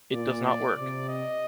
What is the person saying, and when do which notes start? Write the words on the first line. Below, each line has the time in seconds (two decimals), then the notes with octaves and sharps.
It does not work.
0.12 A#2 D5
0.45 D5
0.76 C3 D5
1.08 D#5